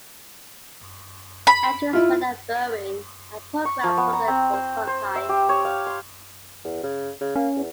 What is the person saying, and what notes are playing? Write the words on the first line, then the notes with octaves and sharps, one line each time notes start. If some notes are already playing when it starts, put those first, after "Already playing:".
Edwards worked at Boeing and programmed for them for some time.
B5
E4 F4
C#6
F3
B3
A#5
C4
C5
C5
E5
G4
C#5
F5
C6
E2
C#3
C#3
A#3 C#4
E2